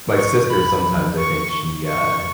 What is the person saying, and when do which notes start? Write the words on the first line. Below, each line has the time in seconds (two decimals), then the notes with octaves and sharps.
my sister, sometimes, I think she, uh,
0.16 C#6
0.50 B5
1.19 C#6
1.87 C#6